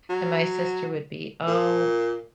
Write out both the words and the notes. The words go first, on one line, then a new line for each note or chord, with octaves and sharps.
And my sister would be, "Oh,
F#3
A#2